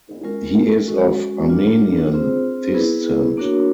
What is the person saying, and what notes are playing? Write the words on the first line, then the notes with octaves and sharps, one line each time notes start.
He is of Armenian descent.
G#3 C#4 F4 A#4
G#3 C#4 F#4
D4 F4 A#4
C4 F4 G#4 C5
B3 E4 G#4 B4
A#3 D4 F#4 A#4 C#5